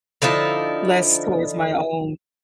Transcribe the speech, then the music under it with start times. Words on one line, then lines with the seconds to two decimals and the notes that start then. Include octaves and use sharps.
less towards my own
0.22 D3 F3 D#4 E4